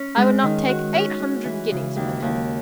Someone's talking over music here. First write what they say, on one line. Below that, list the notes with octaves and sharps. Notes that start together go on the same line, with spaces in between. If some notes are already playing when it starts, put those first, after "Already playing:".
I would not take eight hundred guineas for them.
Already playing: C#4
G#3
D#3
F#4
C#4
G#3
E3
C#3
D#2
D#2